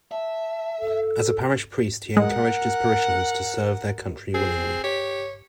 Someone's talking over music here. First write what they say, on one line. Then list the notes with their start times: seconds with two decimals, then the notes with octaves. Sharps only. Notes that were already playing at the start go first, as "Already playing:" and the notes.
As parish priest, he encouraged his parishioners to serve their country willingly.
0.11 E5 A5
0.80 A4
2.17 G#3 A#4 F#5
4.34 C4 G#4
4.84 G4 C#5